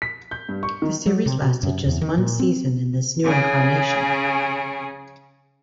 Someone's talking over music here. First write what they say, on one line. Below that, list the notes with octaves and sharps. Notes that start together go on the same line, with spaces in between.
The series lasted just one season in this new incarnation.
B6
G6
G2
C#6
D#3
F#3
C3
B2
F#2
E2
D#3
A#2
C4
C#3 G#4